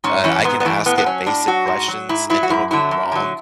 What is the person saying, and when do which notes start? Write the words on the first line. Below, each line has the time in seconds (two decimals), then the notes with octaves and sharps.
uh, I can ask it basic questions, and it'll be wrong,
0.04 G#2 C#4
0.24 E3 C#4
0.44 G#2 B3
0.60 B3
0.65 E3 A3
0.86 A2 B3
0.98 B3
1.06 F#3 C#4
1.26 A2 D4
1.47 F#3 F#4
1.68 G#2
1.88 F#3
2.09 G#2 E4
2.30 F#3 E4
2.43 F#4
2.50 F#2 E4
2.71 D3 F#3 E4
2.91 F#2
3.12 D3 F#3